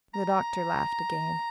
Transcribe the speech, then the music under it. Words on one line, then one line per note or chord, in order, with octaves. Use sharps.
The doctor laughed again.
A#5